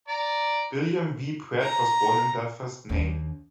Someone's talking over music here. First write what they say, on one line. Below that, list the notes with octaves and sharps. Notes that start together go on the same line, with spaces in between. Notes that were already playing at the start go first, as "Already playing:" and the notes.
William V. Pratt was born in Belfast, Maine.
D5 A#5
A#5
D#2 D4